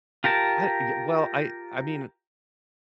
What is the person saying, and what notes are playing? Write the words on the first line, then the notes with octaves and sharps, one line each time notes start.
I y well, I I mean,
F4 G4 A#4 A5